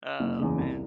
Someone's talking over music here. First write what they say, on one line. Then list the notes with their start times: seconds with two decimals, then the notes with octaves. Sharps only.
Oh, man.
0.20 F#1
0.39 E2 C#3
0.58 C2